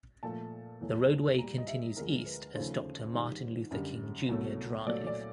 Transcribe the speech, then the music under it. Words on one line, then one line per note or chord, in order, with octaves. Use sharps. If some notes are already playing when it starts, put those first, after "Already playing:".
The roadway continues east as Doctor Martin Luther King Junior Drive.
A#2 F3 A3 A5
E2 B2 F#3 A3
A#2 G3 A#5
D#5
E5
D2 D3 F3 G#3 A#4
B4
D#2 C#3 F3 A3 C5
G#2 D#3 G3
F#2 D3 G3
C2 B2 F#3 A3
A#2 F#3 A3 D5
D5